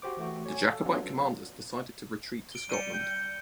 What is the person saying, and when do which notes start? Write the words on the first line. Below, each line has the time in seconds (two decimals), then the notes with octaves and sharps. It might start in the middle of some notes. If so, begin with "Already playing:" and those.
The Jacobite commanders decided to retreat to Scotland.
0.02 F#4 G4 C5 D6
0.17 E3 A3 F#4
0.46 C#5 G#5
0.63 A4
0.86 F#3 B3 C#4 D4 F4
2.52 D7 G7
2.70 G3 C#7 D#7
2.93 G5